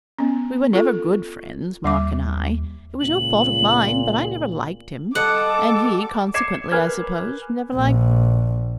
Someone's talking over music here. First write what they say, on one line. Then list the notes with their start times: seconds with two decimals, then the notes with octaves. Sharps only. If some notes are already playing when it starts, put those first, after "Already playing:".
We were never good friends, Mark and I. It was no fault of mine, but I never liked him; and he, consequently, I suppose, never liked me.
0.19 B3 C#4
0.73 F4 A4
1.84 D#2 G3 E5 D6
3.00 C#2 A#2 F#7
5.15 G3 A4 D#5 F#5 D6
6.34 D6 G#6 C7 C#7 E7
6.72 A#4 B4 G#5 F6 G#6
7.75 A#1